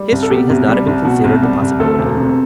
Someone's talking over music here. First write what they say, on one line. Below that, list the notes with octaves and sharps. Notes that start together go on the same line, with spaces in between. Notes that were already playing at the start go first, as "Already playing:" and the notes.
History has not even considered the possibility.
Already playing: G3
C2
A4
B2 G4
C2
G3
C2
B2 F#4
C2
G3
C2
D2 A4
E1
C3